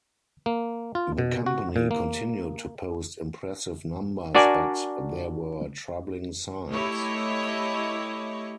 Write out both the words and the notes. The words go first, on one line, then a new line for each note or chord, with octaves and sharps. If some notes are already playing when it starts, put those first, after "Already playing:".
The company continued to post impressive numbers, but there were troubling signs.
A#3
F4
B2
F#4
A#2
A#3
D4 F#4 A#4 D5 G#5
A3 E4 G4 C#5 D#5